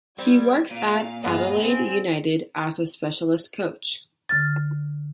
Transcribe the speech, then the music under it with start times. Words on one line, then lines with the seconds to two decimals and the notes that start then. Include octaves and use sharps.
He works at Adelaide United, as the Specialist Coach.
0.18 G3 C4 G#6
0.71 A#2 F5
1.24 G2 B3 G#4 D#5 F5 F6
1.59 C4 G#5
4.29 D3 F6 A6